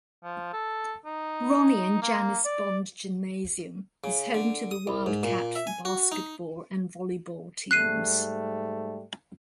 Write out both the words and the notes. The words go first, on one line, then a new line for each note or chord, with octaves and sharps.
Ronnie and Janis Bond Gymnasium is home to the Wildcat basketball and volleyball teams.
F3
A4
D#4
A#3
D5
C#3
D3
D#6
C2
G#2
A#2
E5
G#5
F#4
D#4
G#2 G3 A3 F#6 C7 D#7